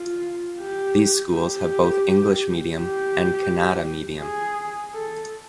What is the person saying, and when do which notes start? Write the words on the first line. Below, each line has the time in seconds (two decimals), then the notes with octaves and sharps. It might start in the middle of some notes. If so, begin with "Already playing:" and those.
These schools have both English medium and Kannada medium.
Already playing: F4
0.59 G4
1.31 G4
2.76 G4
4.20 G#4
4.93 A4